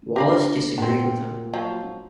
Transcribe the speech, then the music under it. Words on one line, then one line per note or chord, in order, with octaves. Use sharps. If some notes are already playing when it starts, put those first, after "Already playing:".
Wallace disagreed with him.
D3 G4 F5 B5 A#6
A#2 B3 C4
F3 F#3